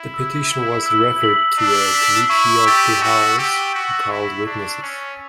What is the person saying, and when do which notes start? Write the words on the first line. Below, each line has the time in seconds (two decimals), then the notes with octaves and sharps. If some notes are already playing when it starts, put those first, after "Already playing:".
The petition was referred to a committee of the House, who called witnesses.
Already playing: E4
0.14 E6
0.50 B6 F#7
0.86 E6
1.22 B6 F#7
1.58 D4 E6
1.95 B6 F#7
2.30 E4 C#6
2.66 G4 E6 A6
3.02 F#4 C#6
3.38 G4 E6 A6
3.74 F#4 C#6
4.10 E4 E6 A6
4.46 D4 C#6
4.82 C#4 E6 A6